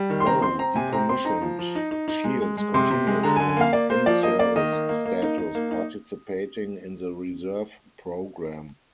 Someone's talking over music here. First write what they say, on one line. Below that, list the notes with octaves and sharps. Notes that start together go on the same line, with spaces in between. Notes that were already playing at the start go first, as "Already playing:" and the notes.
Though decommissioned, "Shields" continued in an in-service status, participating in the reserve program.
Already playing: G3
D#3
C6
C4 A#5
C4 C6
C4 A#5
C3 G#5
C4 A#5
C4 C6
D#4 A#5
F3
F3
D#4
D#4
D#4
G#3
G#3
G#3
C3 C6
C3
G#3
D3 A#5
G#5
D3
G#5
A#3 F5
A#3 D5
A#3 C5
F3 D5
A#3 D#5
A#3 D5
D#3 D#5
A#3
A#3
A#3
D#4
D#4
A#3
D#4